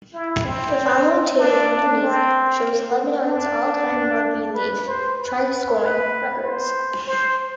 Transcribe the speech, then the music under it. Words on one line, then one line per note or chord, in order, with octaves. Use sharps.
The following table underneath shows Lebanon's all-time rugby league try scoring records.
E4
C4
D4
C4
D4
B4
C5
B4
B4
C5
C5